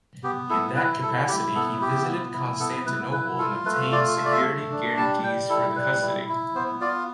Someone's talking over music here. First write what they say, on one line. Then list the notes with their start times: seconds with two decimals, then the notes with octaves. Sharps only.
In that capacity he visited Constantinople and obtained security guarantees for the Custody.
0.23 B3 G4
0.49 E4 A4
0.76 E4 B4
1.02 E4 A4
1.28 E4 G4
1.55 B3 A4
1.81 E4 G4
2.07 B3
2.34 E4
2.60 B3 A4
2.86 E4 B4
3.12 E4 B4
3.39 F4 A4
3.65 A3 B4
3.92 F4 D5
4.18 A3 E5
4.25 D5
4.32 E5
4.44 A3
4.71 D4
4.97 G3 A5
5.23 G3 G5
5.50 E4 A4
5.76 G3 B4
6.02 E4
6.28 E4
6.55 B3 C5
6.81 F4 D5